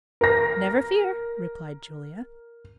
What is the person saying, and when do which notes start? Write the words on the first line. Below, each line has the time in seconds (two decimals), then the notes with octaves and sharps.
"Never fear," replied Julia.
0.21 A#4 A#6